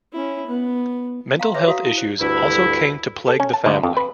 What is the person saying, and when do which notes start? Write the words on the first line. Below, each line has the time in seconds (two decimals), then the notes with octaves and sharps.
Mental health issues also came to plague the family.
0.12 C#4 E4
0.47 B3
1.40 F5 A#5 C6
1.54 G#4 B4 C#5 E5
1.68 F#4 A4 E5 F5 A#5
1.86 E4
1.98 C5
2.20 D2 G2 E4
3.28 A4
3.40 C#4
3.53 A5
3.66 D2
3.83 F2
3.97 B4